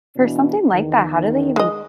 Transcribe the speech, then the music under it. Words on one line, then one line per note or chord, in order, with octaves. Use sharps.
for something like that, how do they even
B2 E3 D4
E2 D#3
G#3 D#5